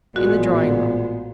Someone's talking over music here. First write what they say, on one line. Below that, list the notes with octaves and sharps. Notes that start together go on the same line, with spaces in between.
In the drawing-room.
A1 A#2 G#3 B3 F#4 C5